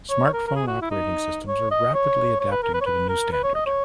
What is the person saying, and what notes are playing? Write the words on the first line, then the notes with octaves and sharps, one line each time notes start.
Smartphone operating systems are rapidly adapting to the new standard.
C#5
A#4
A#4
G#4
F#4
E4
D#4
C#5
D#5
C#5
C#5
B4
A#4
B4
C#5
B4
A#4
B4
C#5
D#5
C#5